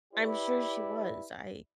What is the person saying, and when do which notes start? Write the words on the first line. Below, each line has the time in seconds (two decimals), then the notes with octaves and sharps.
I'm sure she was. I
0.14 E4 G4 B4 D5